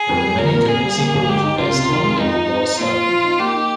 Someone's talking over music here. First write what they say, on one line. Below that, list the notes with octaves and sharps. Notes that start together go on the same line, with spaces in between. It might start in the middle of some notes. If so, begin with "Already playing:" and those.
There are many community groups based on Lake Rosseau.
Already playing: G#4
F2
G3
F3 A#4
A#2
F2 G#4
G3
A#3
G1
G#3 G4
D#4
C#2 F4
C3
D#3
G#3
F2 D#4
F3
C4
C4
A#2 F4
C4
F3
D#4
A#3 G4
D#4